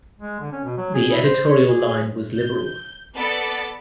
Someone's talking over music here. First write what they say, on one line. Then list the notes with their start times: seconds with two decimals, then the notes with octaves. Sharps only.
The editorial line was liberal.
0.20 G#3
0.40 D3
0.52 C#4
0.64 B2
0.77 F#3
0.94 G#4
1.11 E4
1.24 C5
1.49 C#5
1.69 G#4
1.88 G#4
2.37 G6
3.15 B3 A4 D5 A6